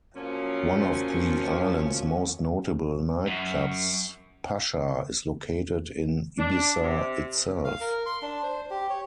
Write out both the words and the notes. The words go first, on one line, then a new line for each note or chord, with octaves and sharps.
One of the island's most notable nightclubs, Pacha, is located in Ibiza itself.
A#2 F3 F#3 C#4
F#2
D4
C3
F5
A#4
C6
D4
C5
G4
C#5